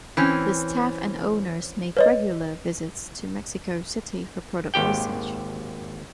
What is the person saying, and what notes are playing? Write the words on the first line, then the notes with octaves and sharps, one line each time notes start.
The staff and owners make regular visits to Mexico City for product research.
E3 C4 C#4
B4 C#5 D#5
G#1 D#2 G4 G5